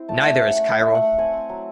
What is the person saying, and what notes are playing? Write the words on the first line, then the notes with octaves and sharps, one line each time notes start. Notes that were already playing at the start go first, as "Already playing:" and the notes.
Neither is chiral.
Already playing: C4 E4
A3 A5
A3
C#4
F#5
A3
A3 E5
A3
F#5
A3
C4 G#5
C4
F#3